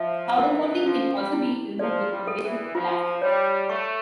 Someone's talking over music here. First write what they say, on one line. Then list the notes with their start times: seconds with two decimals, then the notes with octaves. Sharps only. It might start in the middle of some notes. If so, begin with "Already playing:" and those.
Powder coating can also be removed with abrasive blasting.
Already playing: F3 E5
0.38 E3 A#4
0.85 F3 C#4
1.16 G3
1.33 E4
1.79 F3 D5
2.12 G3
2.27 A4
2.43 E3
2.75 F3 F4
3.22 G3 C#5
3.69 A3 C#6